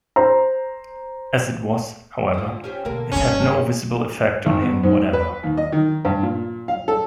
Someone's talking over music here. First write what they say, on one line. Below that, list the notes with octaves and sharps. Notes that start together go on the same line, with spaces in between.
As it was, however, it had no visible effect on him whatever.
C5 A#5
D3 F4
C#4 G4 C5
B2 D3 A#3 A#4
F1 G2 C#4
A4
D#3 F3 G4
G#1
B3
G#2
B4
D#2
D#5
D#3
G2
A#2
F5
A4